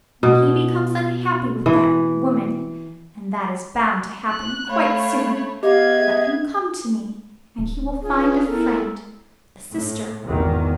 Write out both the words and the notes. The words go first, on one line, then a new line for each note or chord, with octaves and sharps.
When he becomes unhappy with that woman, and that is bound to happen quite soon, let him come to me and he will find a friend, a sister....
B2
E3
F#6
A3 C#5 F5 B5
B3 G4 D#5 F5 G#6
G#4 E5
D1
C#4 F4 G#4 B4
B3 E4 A4 A#4
A2
G#1 E2 G#2 D#3